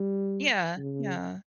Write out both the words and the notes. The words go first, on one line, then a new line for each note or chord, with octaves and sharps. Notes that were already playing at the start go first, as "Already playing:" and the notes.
Yeah, yeah.
Already playing: G3
C#3